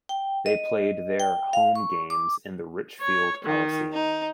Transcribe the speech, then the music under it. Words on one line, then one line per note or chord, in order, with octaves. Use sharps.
They played their home games in the Richfield Coliseum.
G5
D#5
G5
F5
C#6
D6
C#5
D#3
D#4